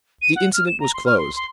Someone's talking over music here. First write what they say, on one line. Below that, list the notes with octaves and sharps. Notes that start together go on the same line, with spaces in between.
The incident was closed.
D#7
F#5
F6
E7
A#5
C6
F6
C6
C6